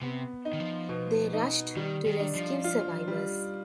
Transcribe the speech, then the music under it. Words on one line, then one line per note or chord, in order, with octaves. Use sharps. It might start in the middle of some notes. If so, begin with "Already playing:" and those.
They rushed to rescue survivors.
C3 B3
D#4
D#3
F3
B2
D#4
D#3 G3
D#3
D4
F3
F4
G3